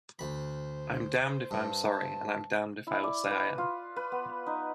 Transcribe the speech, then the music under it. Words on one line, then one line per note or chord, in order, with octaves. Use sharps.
I'm damned if I'm sorry and I'm damned if I will say I am.
D2 C5 B5
G2 A5
E4
D5
B4
F4
B4
B3
D#4